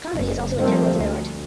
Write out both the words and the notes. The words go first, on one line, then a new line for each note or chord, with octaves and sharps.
Comedy is also integral to their art.
F#1
D#3 F3 G3 A3 A#3 C4
D2